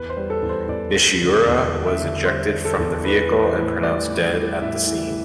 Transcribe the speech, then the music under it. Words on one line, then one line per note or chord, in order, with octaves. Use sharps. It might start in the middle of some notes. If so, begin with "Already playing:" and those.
Nishiura was ejected from the vehicle and pronounced dead at the scene.
Already playing: E2 B4
C5
G3
A4
E2
C5
E2 D5
E2
D3
E2 D5
G3
E5
D3
G3 C5
G3
A4
E2
E3 B4
E3
C5
A2
G3 D5
E3
G3
A2 E5
E3